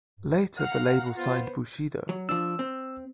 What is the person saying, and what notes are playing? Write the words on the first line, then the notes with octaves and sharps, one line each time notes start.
Later, the label also signed Bushido.
F5 F#5 A#5 F6
B3 F4 C5
F#3
F3 D4 E6
C4